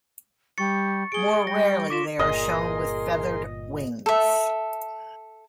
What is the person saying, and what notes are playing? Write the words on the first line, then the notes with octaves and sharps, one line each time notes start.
More rarely, they are shown with feathered wings.
G3 C#6 A6 C#7
G#4 D7 G7
G3 A#6
F4 D6 B6 E7
G1 A#2 G#4 A#4 D#5 C6
A4 E5